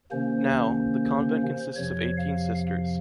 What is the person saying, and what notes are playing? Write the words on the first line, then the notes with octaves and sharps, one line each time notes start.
Now, the convent consists of eighteen sisters.
C3 D#3 A#3 C#4 C5
F2 C3 F3 C#5
F5
F5